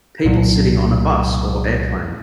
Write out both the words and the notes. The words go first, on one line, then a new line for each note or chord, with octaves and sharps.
People sitting on a bus or airplane.
C2 A#2 F#3